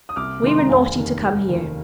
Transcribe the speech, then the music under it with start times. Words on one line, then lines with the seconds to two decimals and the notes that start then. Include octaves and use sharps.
We were naughty to come here.
0.09 D#6
0.16 C2 D6 F6
0.43 C3 D#3 G#3 D#4 C6
0.58 A#5
0.69 F1 F5 G#5
0.95 D#2 D#3
1.22 F1
1.49 D#2 D#3